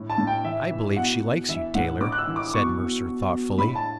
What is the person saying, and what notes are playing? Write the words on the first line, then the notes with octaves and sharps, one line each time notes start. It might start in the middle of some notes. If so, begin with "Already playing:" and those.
"I believe she likes you, Taylor," said Mercer thoughtfully.
Already playing: A2
A5
A2
G5
E3 E5
E3
B2 F#5
B2
E3 E5
A2 F#5
A2 D6
F#6
E6
E3
D6
B2 C#6
B2
B2
B2
A2 B5
A5